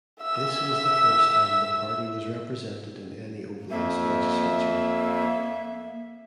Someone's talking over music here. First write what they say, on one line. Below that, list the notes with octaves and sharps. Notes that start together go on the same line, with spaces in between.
This was the first time the party was represented in any oblast legislature.
E5 E6
F2 A#3 E5